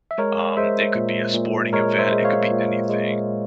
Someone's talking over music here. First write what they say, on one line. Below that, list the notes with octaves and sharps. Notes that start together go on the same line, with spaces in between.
Um, it could be a sporting event, it could be anything,
E5
G#3 A#4 C#5
G#3 C5 E5
A#2
A#2
G#3 A#4 C#5
C5 E5
G#3
C#5 F5
A#2
G#3